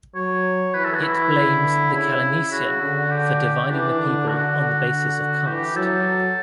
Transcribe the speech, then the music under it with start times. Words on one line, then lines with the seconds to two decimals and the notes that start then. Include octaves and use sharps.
It blames the kalineesan for dividing the people on the basis of caste.
0.15 F#3 C#5
0.74 E3 B4
0.84 A4
0.94 F#4
1.04 E4
1.33 D3
1.92 C#3 E4
2.52 C#3 F#4
2.81 D3
3.11 G4
3.70 E3 D4
3.99 D3
4.28 D3 F#4
4.58 D3
5.17 D3
5.46 E3 G4
5.76 F#3 A4